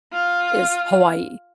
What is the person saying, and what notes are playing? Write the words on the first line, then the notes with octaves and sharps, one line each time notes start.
is Hawaii,
F4